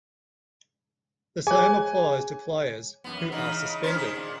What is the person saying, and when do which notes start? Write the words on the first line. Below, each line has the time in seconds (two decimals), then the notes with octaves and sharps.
The same applies to players who are suspended.
1.47 G#4 C#5 G#5
3.04 F#2 A2 B3
3.32 C#3 E3 D#4
3.83 C#4 D#4 C5
3.95 D#3 G#4
4.16 A#2